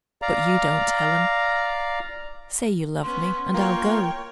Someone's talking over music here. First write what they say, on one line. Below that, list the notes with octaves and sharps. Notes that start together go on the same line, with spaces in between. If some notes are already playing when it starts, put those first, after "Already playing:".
'But you don't, Helen--say you love me, and I'll go.'
D5 F5 A#5
B3 C#4 C6
A#3 F4 C#5 G5